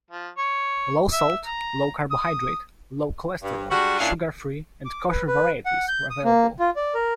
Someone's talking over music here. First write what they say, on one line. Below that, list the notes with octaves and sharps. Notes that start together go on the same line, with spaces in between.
Low-salt, low-carbohydrate, low-cholesterol, sugar-free, and kosher varieties are available.
F3
C#5
E5
A#5
D#6
G2
G3 G#3 D4 F#4
A#2 C#4 D4 E4 F5 F#5
D6
B4
B4
F#5
G6
D#6
A#3
F4
D5
A#4